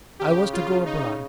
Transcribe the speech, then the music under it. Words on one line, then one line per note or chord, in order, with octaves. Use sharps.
I was to go abroad.
C#3 G4
F4
D#4